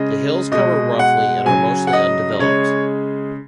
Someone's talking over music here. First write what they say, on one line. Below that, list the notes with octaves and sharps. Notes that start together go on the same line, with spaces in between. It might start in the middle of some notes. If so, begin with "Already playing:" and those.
The hills cover roughly and are mostly undeveloped.
Already playing: C#3 G#3 D#5
B2 G#3 D#5
F#5
C#3 F#3 G#5
F#5
D#5
C#3 G#3 C#5